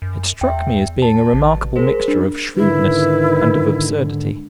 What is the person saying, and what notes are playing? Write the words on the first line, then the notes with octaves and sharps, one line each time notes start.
It struck me as being a remarkable mixture of shrewdness and of absurdity.
F#2
E2 E5 G5
A5
A1
G#3 G#4 A#4 C5
G3 D4
G#2 D3 D#3 E4 B4